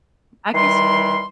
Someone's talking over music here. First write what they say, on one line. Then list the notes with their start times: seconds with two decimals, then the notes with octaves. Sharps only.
I guess
0.54 D#3 E3 G3 C6